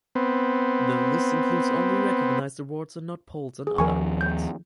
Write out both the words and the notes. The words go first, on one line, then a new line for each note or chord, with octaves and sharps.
This list includes only recognized awards and not polls and other awards.
B3 C4
G#4
D#2 F3 A#4 G#5 C#6
G6